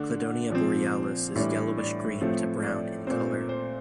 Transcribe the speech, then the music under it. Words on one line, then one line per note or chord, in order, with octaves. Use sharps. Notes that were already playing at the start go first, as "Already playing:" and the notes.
Cladonia borealis is yellowish green to brown in color.
Already playing: D3 A3 D4
A#2 F3 C4
A2 E3 G3 D4 D5
D5
A2 F3 A3 C4
D5
A#2 A3 C4 C5
C5